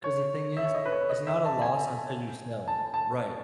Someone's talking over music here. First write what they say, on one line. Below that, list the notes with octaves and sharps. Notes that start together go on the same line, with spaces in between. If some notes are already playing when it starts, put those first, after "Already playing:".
'Cause the thing is, it's not a loss until you sell, right?
C#5
E5
C#5
D#5
B4
C#5
D#5
E5
A5
G#5
A5
A5